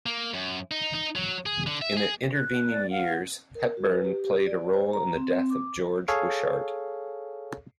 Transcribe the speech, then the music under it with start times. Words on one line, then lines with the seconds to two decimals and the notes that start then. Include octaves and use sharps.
In the intervening years, Hepburn played a role in the death of George Wishart.
0.06 A#3
0.34 F#2
0.71 D#4
0.94 D#4
1.16 F#3
1.46 G#4
1.67 D3
1.82 E5
1.97 G#4
2.34 F#6
2.70 D5
2.91 F5 F#5
3.55 A#4
3.77 F#4
3.91 B4
4.05 G4
4.24 G4
4.47 D5
4.74 C5
4.93 A#5
5.16 C4
5.35 C4
5.50 D6
6.08 G#4 A4 C#5 F5